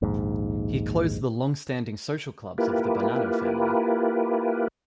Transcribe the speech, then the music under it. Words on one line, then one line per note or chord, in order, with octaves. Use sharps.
He closed the long-standing social clubs of the Bonanno family.
A#1 D#2 G#2
A#3 E4 F4 G4 A#4 B4